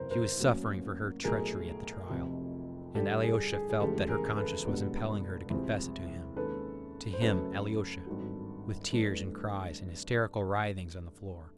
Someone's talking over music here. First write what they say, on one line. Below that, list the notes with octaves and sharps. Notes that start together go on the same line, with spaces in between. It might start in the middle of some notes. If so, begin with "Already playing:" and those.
She was suffering for her "treachery" at the trial, and Alyosha felt that her conscience was impelling her to confess it to him, to him, Alyosha, with tears and cries and hysterical writhings on the floor.
Already playing: F#1 E2 C3 A#4 C5
A#4 C5
A2 F#3 A#3 C#4
B1 A2 F#3 A3 G#4 A#4
F1 F2 C3
G2 D3 G3 G4 A4
G#4
G#4
G#4
E1 D2 C#3 F3 G#3 G4 A4
G#4 A#4
A4 B4
C#2 B2 G3 B3 D4
C2 C3 F3 G#3 C4
D#2 D#3 G#3 C#4 A4 B4
C5
F#2 C#3 F#3 A3 C#4 A4 B4
G#1 G2 D#3 F#3
G2 E3 A3 D4